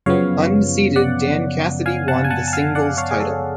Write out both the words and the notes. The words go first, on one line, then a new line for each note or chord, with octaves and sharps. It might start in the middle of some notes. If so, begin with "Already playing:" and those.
Unseeded Dan Cassidy won the singles title.
F#2 C#3 F3 B3 C#5 F5
D5 F#5
F5 G#5
F#5 A5
G#5
F#5 A5
A5
F5 G#5
D5 F#5
C#5 F5
G#4
A4